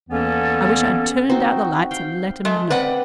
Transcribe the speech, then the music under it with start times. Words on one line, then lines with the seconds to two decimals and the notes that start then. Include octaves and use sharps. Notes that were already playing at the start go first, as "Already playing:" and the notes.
I wish I'd turned out the lights and let 'em knock.
0.10 E2 E3 A#3 B3 C#4 A4
1.30 C4 D#4 F#4
1.91 F5 G5
2.45 G#3 A3
2.70 C4 B4 D5 F#5